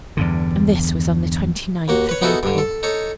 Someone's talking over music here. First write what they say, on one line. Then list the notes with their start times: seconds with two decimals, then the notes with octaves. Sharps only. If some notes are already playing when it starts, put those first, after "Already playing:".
And this was on the twenty-ninth of April.
0.17 E2 G2 D3
1.88 D#2 A#3 F#4
2.09 B4 C#5
2.22 B3 D#4 E4 F#4 G#4 A4
2.43 G2 D3
2.58 A4
2.83 D#4 A4 C#5